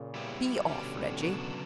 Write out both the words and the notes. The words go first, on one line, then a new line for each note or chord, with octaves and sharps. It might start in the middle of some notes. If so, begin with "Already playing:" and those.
"Be off, Reggie!"
Already playing: A#2 C#3
G3 B3 E4 G4
B2 D3 G3 C#4 G4
C#3 F#3 B3 D4